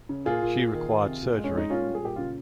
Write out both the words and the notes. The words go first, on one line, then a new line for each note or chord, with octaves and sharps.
She required surgery.
C#3
A#2 F4 G#4
A#2
A#2
D#3
D#3
C3
A#2
G#3
C#4
G#3 D#4
A#2 C#4 F4
G3
G#4
A#2 G4
C#3 F4